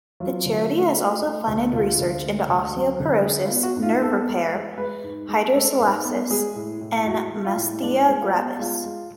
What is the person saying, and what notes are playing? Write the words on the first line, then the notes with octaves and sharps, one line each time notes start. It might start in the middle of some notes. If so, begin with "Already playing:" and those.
The charity has also funded research into osteoporosis, nerve repair, hydrocephalus and myasthenia gravis.
F#3 F4
D3
A3
A3
A3
D2
D2 F4
D2
A3
D2
F#3
D3
G#3 G#4
F4
B3
F#4
G#2
F4
B3 A4
G#3
G#3
G#3 B4
G#2
G#3
G#3 A4
G#2
B3
G#3 G#4
A2
A2
G#3 F#4
G#3
F4
A2
G#3 D4
G#3
F4
B3
G#3 F4
G#3